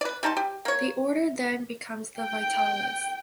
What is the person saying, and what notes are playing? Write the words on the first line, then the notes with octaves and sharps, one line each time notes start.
The order then becomes the Vitales.
B4 D5
G3 D#4 A5 C6
G4
A#3 C#5
G5